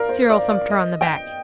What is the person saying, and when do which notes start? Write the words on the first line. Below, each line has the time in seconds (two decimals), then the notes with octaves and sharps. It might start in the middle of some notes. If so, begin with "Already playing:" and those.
Cyril thumped her on the back.
Already playing: A#4 D5 F5
0.09 C5
0.29 D5
0.49 D5
0.70 D#5
1.01 G5